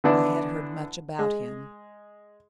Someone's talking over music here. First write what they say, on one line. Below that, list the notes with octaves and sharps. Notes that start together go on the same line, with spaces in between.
I had heard much about him.
D3 E3 B3 D4 E4
G#3